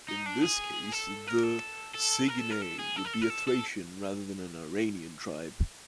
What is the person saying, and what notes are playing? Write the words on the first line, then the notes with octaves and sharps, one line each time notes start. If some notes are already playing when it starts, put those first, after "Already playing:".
In this case the Sigynnae would be a Thracian rather than an Iranian tribe.
D#4
D4
G#4
A4
A#4
A4
A4
A#4
A4
A#4
A4
G#4
A4
A#4
A4
A#4
A4
A4